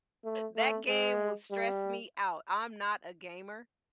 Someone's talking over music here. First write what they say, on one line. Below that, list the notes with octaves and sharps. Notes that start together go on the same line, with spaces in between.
That game will stress me out, I'm not a gamer.
A3
A3
G#3
G3